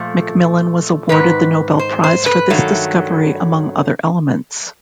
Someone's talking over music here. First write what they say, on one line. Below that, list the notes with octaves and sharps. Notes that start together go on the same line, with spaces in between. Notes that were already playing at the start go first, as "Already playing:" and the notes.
McMillan was awarded the Nobel Prize for this discovery among other elements.
Already playing: A#2 F3 A3
G#2 D#3 B4
C5
C5
B4
G2 D#3 F#3 A3